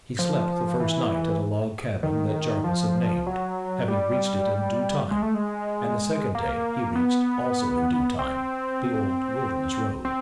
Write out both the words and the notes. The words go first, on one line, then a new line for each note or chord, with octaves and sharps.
He slept the first night at a log cabin that Jarvis had named, having reached it in due time, and the second day he reached, also in due time, the old Wilderness Road.
F3
E3
D#3
F3
F#3
G3
G#3
A3
G#3
A#3
B3
C4
C4